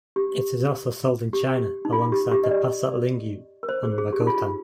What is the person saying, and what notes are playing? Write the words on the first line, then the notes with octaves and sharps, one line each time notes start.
It is also sold in China alongside the Passat Lingyu and Magotan.
G4
G4
D#4
F4
G4
G4
D#5
D5
A#4
C5
G#4
G#4
G4
D#4
F4